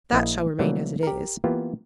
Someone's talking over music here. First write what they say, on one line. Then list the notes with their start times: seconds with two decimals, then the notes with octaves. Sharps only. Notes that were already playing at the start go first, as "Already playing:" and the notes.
That shall remain as it is.
0.12 A#1 A#3 E4 D#5
0.59 C3 E3 F#3 G3 A3 A#3
1.03 G4 A#4
1.44 E3 A#3 B3 F4 G4